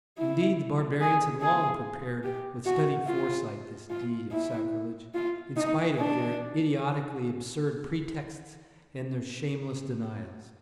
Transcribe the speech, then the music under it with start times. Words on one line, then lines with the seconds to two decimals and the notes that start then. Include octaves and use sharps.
Indeed the barbarians had long prepared with studied foresight this deed of sacrilege, in spite of their idiotically absurd pretexts and their shameless denials.
0.18 E4
1.00 G#4
1.41 G#4
2.24 G4
2.66 F#4
3.07 F4
3.90 F4
4.32 E4
5.15 F4
5.56 D#4
5.98 D4